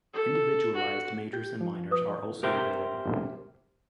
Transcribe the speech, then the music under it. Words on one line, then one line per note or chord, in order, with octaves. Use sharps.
Individualized majors and minors are also available.
A4
F#4
G4 G6
F3
B4 D#6
G4 A#4 C5 E5 G5